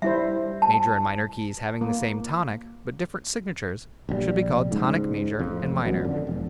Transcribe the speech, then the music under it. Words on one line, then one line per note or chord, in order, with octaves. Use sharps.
Major and minor keys having the same tonic, but different signatures, should be called tonic major and minor.
G3 E4 C5 E5
A5
A#3
A#1 D3 G3
C#2 G#2
A1 F2
G#1 F#2 B2
F2 D3
E1